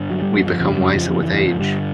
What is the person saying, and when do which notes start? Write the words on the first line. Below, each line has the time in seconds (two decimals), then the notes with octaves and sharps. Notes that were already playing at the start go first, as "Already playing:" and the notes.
We become wiser with age.
Already playing: G2 D3
0.10 F#3
0.22 G3
0.34 F#3
0.47 F3
0.59 F2 C#3 F3
0.72 G3
0.85 F#3
0.97 F3
1.09 F3
1.22 E3
1.34 E3
1.47 F3
1.59 G2 D3 G3